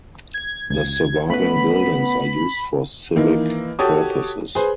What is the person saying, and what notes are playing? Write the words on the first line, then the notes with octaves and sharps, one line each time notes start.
The surviving buildings are used for civic purposes.
G#6
C#2 G#6
A3 B3 C#4 B4 B5
D#3 E3 A#3 D#4
F#4 G4 A4 C#5 A5 D#6
G#4 B4 C5